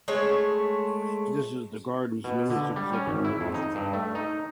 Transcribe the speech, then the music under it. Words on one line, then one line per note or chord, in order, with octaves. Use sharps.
This is the garden's newest exhibit.
G#3 A3 C#5
B2
D3
G3
C#4
G#1
E4
F2
D#4
G2
A3
D#4